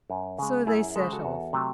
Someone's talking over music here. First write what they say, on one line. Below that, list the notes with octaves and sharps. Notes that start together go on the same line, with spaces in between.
So they set off.
F#2
C#3 G#3
F#2 E4 G#4
C#3 G#3 A4 C5
F#4 A4
E2
C3 F#3 A3